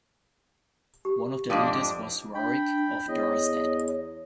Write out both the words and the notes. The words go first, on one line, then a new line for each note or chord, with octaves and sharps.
One of their leaders was Rorik of Dorestad.
G4
F2 G#2 D4
D4 G5 B5
E2 C#5 D#5